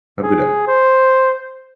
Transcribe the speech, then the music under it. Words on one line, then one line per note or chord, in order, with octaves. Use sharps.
Have a good day.
G#4
C5